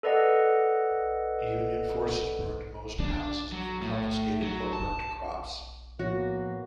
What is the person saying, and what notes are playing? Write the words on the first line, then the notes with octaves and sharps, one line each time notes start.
Union forces burnt most houses and confiscated or burnt crops.
A4 B4 D5 D#5 F#5
D4
F#3
A2
F#3
A5
A2 F3 A#3 B3 F#4 C#5 A#6